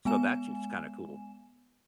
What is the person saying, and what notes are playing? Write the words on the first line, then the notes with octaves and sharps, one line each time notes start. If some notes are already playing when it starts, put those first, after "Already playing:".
So, that's just kinda cool.
G#3 B3 G#5 E7